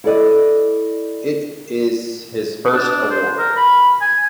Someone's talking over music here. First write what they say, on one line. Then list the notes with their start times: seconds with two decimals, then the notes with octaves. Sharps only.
It is his first award.
0.04 E4 A4 D5 D#5
2.73 D4
3.10 C5
3.38 A#4
3.56 B5
4.01 G#5